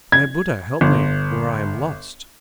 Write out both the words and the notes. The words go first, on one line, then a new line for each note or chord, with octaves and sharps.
May Buddha help me or I am lost.
G#6
G1